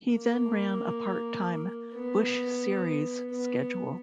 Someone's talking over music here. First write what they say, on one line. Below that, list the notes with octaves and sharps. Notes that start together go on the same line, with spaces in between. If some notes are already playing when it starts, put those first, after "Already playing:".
He then ran a part-time Busch Series schedule.
A#3
B3
B3